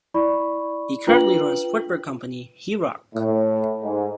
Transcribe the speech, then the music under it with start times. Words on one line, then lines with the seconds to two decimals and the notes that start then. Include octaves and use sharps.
He currently runs footwear company, Heroyk.
0.14 E4 D5 B5 C#6
1.07 D4 F4 B4 G5 F#7
3.15 A2
3.84 G#2